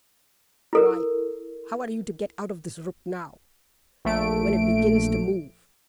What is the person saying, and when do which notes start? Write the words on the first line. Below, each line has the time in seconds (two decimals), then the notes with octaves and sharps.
"Why, how are you to get out of this ruck now, when it begins to move?"
0.73 E4 A4 A#4
4.05 A#1 A3 D7